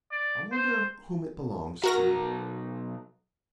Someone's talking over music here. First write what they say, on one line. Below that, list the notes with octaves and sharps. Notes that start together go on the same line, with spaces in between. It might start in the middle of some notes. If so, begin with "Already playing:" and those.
I wonder whom it belongs to.
D5
C5
B1 F#4 A#4 A#5 A#6